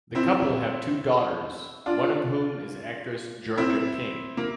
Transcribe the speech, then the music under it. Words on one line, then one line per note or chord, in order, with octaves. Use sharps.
The couple have two daughters, one of whom is actress Georgia King.
C4 E4
D4 F4
C4 E4
A#3